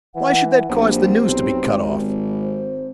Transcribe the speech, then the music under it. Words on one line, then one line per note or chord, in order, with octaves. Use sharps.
Why should that cause the news to be cut off?
E3 F#5
A#1 C4 G4
B1
G#1
C5